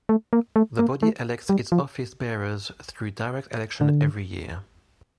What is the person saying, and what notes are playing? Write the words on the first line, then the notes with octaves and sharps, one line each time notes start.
The body elects its office bearers through direct election every year.
A3
A#3
A3
A#3
A3
G3
F3
D3